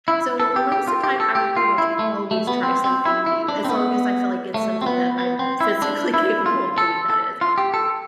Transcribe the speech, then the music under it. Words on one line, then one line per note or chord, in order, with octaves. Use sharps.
so, most of the time, I will, pretty much, always try something new as long as I feel like it's something that I'm physically capable of doing, that is.
E4
A4
G4
G4
F4
G4
A4
G4
F4
E4
A3
A3
B3
C4
C4
E4
E4
D4
C4
B3
A3
C4
B3
B3
C4
E4
D4
E4
F4
A4
A4
F4
G4
A4